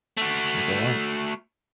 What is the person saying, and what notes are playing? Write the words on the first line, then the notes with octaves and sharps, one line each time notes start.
That's a lot.
A3 F#4